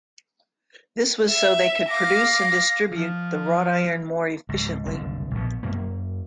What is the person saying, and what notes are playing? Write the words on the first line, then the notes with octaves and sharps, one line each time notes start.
This was so they could produce and distribute the wrought iron more efficiently.
E5
F5 D6 A#6
F3
C#2 G#2
F#1 C2 D3
A#1 B2
F#2 A#3